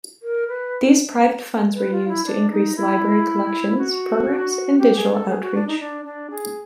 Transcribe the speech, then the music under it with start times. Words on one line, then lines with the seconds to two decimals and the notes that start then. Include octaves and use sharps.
These private funds were used to increase Library collections, programs, and digital outreach.
0.23 A#4
0.48 B4
1.75 B4
1.91 F4
2.08 E4
2.25 D4
2.51 D#4
2.76 E4
3.77 F#4
4.78 G4
4.95 G#4
5.12 A4
5.29 G#4
5.42 F#4
5.54 D4
5.67 D#4
5.79 D4
6.05 D4
6.30 G#4